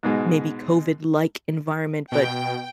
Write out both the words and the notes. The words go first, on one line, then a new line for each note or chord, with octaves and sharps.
maybe COVID-like environment but
G#2 B2 G#3
B2 G5